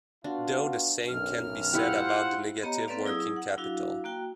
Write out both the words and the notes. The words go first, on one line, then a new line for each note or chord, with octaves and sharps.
Though, the same can't be said about the negative working capital.
B3 D4 F4 F#4
B1 F#2 F6
E4 F4 G4 C5 F#5
B3 G4 C#5 D#5 A#5
A#3 C4 A4 B4 D5 F5
F#3 E4 G#4 D#6 E6
F#5
F#3 D4 E4 F#4 F5
A#3 F#4 G5